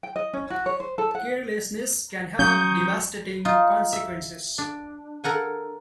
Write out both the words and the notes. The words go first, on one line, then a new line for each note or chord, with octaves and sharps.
Carelessness can have devastating consequences.
G5
D#5
C#4
F#4
C#5
C5
A4
F#5
F#3 C#4 A#5 C#6 D#6 G6
D#4 F4
E5
D4
A4 A#4 F#5 G#5